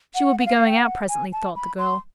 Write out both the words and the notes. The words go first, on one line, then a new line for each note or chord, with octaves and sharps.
"She will be going out presently," thought the girl.
F#5
F#5
F5
G5
F#5
G#5
A5
B5
C6